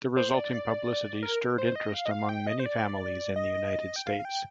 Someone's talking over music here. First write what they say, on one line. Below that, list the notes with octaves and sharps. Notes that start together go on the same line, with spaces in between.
The resulting publicity stirred interest among many families in the United States.
C5
D5
A#4
C5
D#5
F5
D#5
F5
G5
D#5
C5
D5
D#5
G5
F5
F5
G5